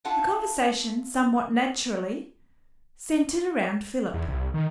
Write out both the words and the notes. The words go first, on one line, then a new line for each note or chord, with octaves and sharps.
The conversation somewhat naturally centered around Philip.
D4 E4 F4 A4 F#5 A5
E2
C2
D#3